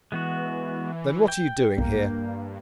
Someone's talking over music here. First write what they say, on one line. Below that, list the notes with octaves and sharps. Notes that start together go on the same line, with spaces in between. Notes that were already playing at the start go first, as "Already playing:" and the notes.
"Then what are you doing here?"
E3 G#3 B3 F#4
G5
B1 G2 A#3